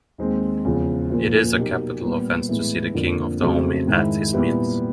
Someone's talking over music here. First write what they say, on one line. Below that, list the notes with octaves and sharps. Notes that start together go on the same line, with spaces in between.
It is a capital offense to see the king of Dahomey at his meals.
D#2 D#3 G#3 C4
E2 C#3 F3
A#2 F3 A#3
B2 F#3 A#3 D#4 G4
A#2 G3 B3
A2 E3 G#3 B3 E4
F2 D3 F3 A#3
F2 C#3 F#3 A3 C4
G#2 D#3 G#3 C4 E4
A#2 G3 B3 E4 G4